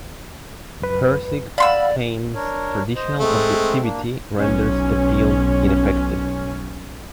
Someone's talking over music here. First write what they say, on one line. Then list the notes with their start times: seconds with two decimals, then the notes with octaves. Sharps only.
Pirsig claims traditional objectivity renders the field ineffective.
0.80 C#2 F#2 B4
1.58 D5 F5 F#5 B5 C6 E6
2.35 D4 A#4 C#5
2.96 C5 D#5
3.20 G#3 A3 C4
3.81 A#3 D4
4.38 B1 C#4